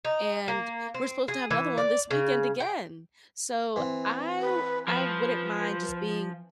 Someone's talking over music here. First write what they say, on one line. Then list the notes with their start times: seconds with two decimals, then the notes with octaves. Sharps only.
and we're supposed to have another one this weekend again, so I w I wouldn't mind just being
0.05 D#4
0.48 A#3
0.94 C4
1.28 G#4
1.51 E3
1.78 D5
2.11 C#3
2.60 G5
3.76 E3 C4
4.41 B4
4.88 F3 B4